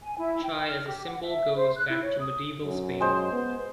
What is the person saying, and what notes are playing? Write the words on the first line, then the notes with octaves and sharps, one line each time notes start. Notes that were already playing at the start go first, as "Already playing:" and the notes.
Chai as a symbol goes back to medieval Spain.
G#5
E4
G5
F6
G4
F#5
E5
C5
F#6
E4
C#5
D#6
F#2
G#3 C5
B3